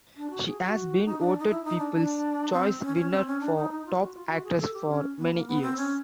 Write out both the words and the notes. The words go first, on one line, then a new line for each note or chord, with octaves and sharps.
She has been voted people's choice winner for top actress for many years.
D4
F#4
G#4
F#4
D#4
D4
D#4
E4
D#4
D4
D4
C4
C#4
C#4
C4
C#4
D4
D#4
D#4
F4
F#4
F4
F#4
G#4
A4
G4
C#4
B3
A#3
B3
C4
C#4